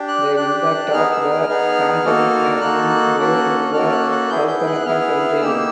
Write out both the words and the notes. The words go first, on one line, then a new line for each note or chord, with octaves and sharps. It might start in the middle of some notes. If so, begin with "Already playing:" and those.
The impact of the pandemic has been great in the South American country.
Already playing: D4 G4
F#6
D4 G4 F#6
B3 D#4 G#4 F6
E6
F6
B3 D#4 G#4
A#3 D#4 F#4 A4
A#3 D#4 F#4 A4 F#6
A#3 C#4 F#4 A4
A#3 C#4 F#4 A4 F6
F#6
F#6
B3 E4 G#4 G6
G6
F#6
B3 E4 G#4 F6
A#3 D#4 G4 E6